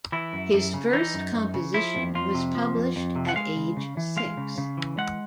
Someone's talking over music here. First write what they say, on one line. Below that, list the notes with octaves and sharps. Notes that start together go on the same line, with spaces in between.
His first composition was published at age six.
E3 E4
F#2
F#2
C#3
E3 D#4
F#2
F#2
C#3
F3 E4
F2
F2 F4
C3
F3
F2
F2
C3
F#5
G#3 F5
C#3
C#3
E3
G#3 F5
C#3
C#3
E3
G#3 F#5